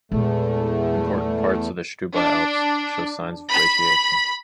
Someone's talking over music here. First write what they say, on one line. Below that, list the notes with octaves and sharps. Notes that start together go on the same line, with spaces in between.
Important parts of the Stubai Alps show signs of glaciation.
E2 A#2 G#3 A3
D4
B5